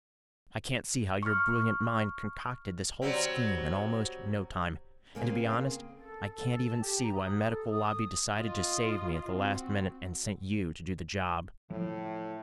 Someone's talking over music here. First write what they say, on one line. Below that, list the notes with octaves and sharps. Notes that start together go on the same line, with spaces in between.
I can't see how your brilliant mind concocted this whole scheme in almost no time. And to be honest, I can't even see why Medical Lobby decided to save me at the last minute and sent you to do the job.
C#6 F6
F#3 G3 C4
C#3 A#3 C4 G#4
A4
A4
A5
G4
A#5
D#6
A4
D#6
F4 D#5
C4 F#4
A2 F3